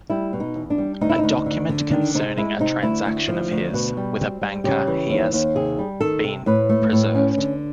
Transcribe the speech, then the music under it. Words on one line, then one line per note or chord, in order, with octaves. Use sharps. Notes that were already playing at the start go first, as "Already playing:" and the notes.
A document concerning a transaction of his with a banker has been preserved.
G3 E4
B2
D#4
E2
D4
G3
D2 D#4
E4
D#4
D2
D3
D3
D#3 D4
C3 D#4
G#3 E4
C3 D#4
D2 E4
D2
F3
D2
B2 F#4
G3
C4
G3
C#3 G4
E3
D#2
D#2
C3 G#4
G3
D#3 A4
C3
A2 B4
A3
A2
C#4
D3